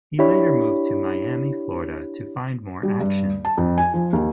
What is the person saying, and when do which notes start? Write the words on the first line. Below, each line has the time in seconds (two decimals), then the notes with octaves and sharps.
He later moved to Miami, Florida, to find more action.
0.19 D4 E4 G4 C#5 B5
2.83 G3
3.00 G2
3.45 A5
3.57 F2
3.78 G#5
3.94 F3
4.13 D#2